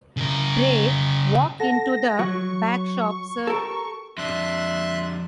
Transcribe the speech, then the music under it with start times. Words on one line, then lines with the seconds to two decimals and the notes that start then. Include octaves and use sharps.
Pray walk into the back shop, sir.
0.17 C#3 A#4
1.60 A4 F#5 A5 A#6
2.19 F#3 C#6
3.47 G4 A4 A#4 A#5
4.18 F2 D4 E5 C6 F#6